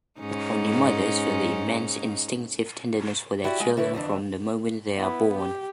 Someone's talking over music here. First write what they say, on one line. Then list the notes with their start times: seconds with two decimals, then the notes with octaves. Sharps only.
Only mothers feel the immense, instinctive tenderness for their children from the moment they are born.
0.20 G#2 C#4 D#4
3.44 E4 F#4 G4 D5 D#5 F#5
3.60 G#3 F4
3.77 D3 A3 E4 B4
3.93 F2 D3 E3 D4
4.97 B3 E4
5.38 G4